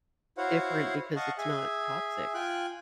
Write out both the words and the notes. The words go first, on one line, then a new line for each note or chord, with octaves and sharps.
different because it's not toxic.
E4 F#4 C5 C#5 F5 F#5
D#5 F5 F#5 A5 C#6
G#4 E5 G#5
F4 G5 G#5 F#6